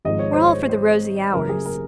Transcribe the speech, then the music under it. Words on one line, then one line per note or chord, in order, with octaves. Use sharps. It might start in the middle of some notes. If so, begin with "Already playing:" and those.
We're all for the rosy hours.'
G#1 G#2 F3 G#3 D#5
C#5
C5
C#5
C5
F#1 F#2 C#3 F#3 A#4
G#4
A#4